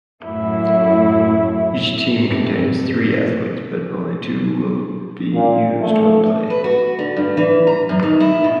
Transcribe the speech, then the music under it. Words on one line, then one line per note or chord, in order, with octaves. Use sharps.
Each team contains three athletes but only two will be used when play.
F#2 A2 A3 E4
G2 C3
A#2
A3
B4
F#4
D3
G2
E3
A#5
F#2
D#3
E4
B2